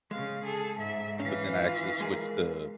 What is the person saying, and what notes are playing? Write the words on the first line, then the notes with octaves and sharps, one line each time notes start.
but then I actually switched to,
C#3 G#3 F5
G#4 A4
G#2 E5
E3 C#4 F5
F4
G#3 G#4 A#4